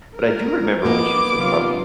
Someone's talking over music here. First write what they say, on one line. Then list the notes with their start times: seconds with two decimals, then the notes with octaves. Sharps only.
but I do remember when she was a puppy,
0.16 A#4
0.85 A#3 B3 D#4 D6
1.35 C3 F#3 F4